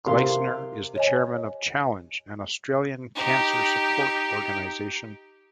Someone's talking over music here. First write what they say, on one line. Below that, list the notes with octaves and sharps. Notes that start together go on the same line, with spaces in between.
Gleisner is the chairman of Challenge, an Australian cancer support organisation.
C3 A#4 F5 C6
C#5 D#5 G#5
D#4 G4